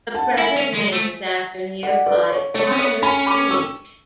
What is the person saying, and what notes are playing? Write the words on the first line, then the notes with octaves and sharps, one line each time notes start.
The present name is after nearby Otter Creek.
F#5 A5
E4 E5 G#5
C#4
G#3
A3
D5 F#5
B4 D5
C#5
A3 C#5
C#4
B3 C#5
C#4 G#5 B5
B5 D6
C#6 E6